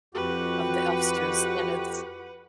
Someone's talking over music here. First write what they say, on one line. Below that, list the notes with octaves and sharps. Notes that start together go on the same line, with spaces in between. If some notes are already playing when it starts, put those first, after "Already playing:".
of the Elfsters and it's
F2 F#4 G4 B4 F#5